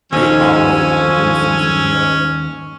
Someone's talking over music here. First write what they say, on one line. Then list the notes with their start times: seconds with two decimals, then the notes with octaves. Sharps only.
it always loosens me up.
0.13 D#2 D3 F3 C#4 D#4 G#5 E6